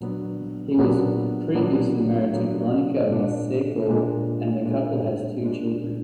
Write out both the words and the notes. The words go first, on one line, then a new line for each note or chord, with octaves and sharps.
He was previously married to Veronica Maseko and the couple has two children.
A#2 F#3 B3 D4
A#2 F#3 B3 D4
A#2 F#3 B3 D4
A#2 F#3 B3 D4
A#2 G#3 D4
A#2 G#3 D4
A#2 G#3 D4
A#2 G#3 D4